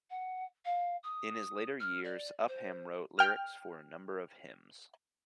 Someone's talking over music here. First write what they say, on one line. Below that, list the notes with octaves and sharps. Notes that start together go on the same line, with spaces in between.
In his later years Upham wrote lyrics for a number of hymns.
F#5
F5
D#6
F6
D5
C5
G5 F6